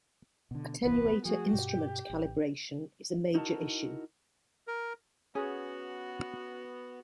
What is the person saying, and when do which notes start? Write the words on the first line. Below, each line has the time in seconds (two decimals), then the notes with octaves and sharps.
Attenuator instrument calibration is a major issue.
0.51 B2 D3
0.83 D#1 C2 E3 B3 B4
1.25 F3 A3 F#4 G#4
1.53 G2 B2 G4
2.10 A1
3.35 D#4 E4 F#4 A#4 D#5 A5
4.68 A#4
5.35 B3 C#4 F#4 G#4